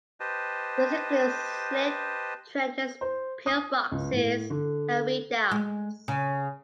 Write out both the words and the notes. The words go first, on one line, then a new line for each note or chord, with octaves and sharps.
This includes slit trenches, pillboxes, and redoubts.
G4 B4 C5 D#5 A5
C5
D#6
C#2
A2
D3
G#3
C#3